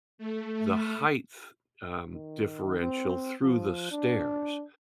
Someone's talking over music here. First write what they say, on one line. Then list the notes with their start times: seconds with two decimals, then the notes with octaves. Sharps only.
the heighth, um, differential through the stairs,
0.18 A3
0.52 A3
2.14 D#3
2.80 C4
3.42 F3
3.91 D4